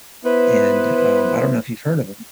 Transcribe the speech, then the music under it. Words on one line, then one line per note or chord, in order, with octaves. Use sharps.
and, um I don't know if you've heard of him.
B3 E4 B4 C5